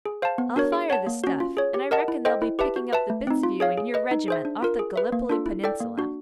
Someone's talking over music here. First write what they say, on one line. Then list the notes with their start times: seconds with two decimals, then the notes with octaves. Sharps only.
I'll fire this stuff, and I reckon they'll be picking up the bits of you and your regiment off the Gallipoli Peninsula.'
0.06 G#4
0.22 C5 F5 A5
0.38 B3
0.56 D4 F#4 A#4 C#5
0.72 G#4
0.90 C#5 F#5 A5
1.07 A#3
1.24 C#4 F#4
1.40 F4
1.57 G#4 C#5
1.74 G4
1.91 A#4 D#5 F#5 A5
2.08 E4
2.25 A4 C5 D#5 G5
2.42 E4
2.59 G4 B4 E5 A5
2.76 F#4
2.93 B4 E5 A5
3.10 A3
3.27 C4 D#4
3.43 F4
3.60 G#4 C#5 F5
3.78 G#4
3.94 B4 D#5
4.11 D#4
4.28 G#4 C5 E5
4.45 D4
4.62 F4 A#4
4.79 G#4
4.96 B4 E5
5.12 A#3
5.29 D4 F4 A4
5.46 E4
5.64 A4 D5 G5
5.80 A#3
5.98 D4 F#4